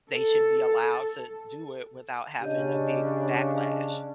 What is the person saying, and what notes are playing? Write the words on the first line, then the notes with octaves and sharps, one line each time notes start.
they should be allowed to do it without having a big backlash.
A4
C#3 C#4 D4 G4 D#5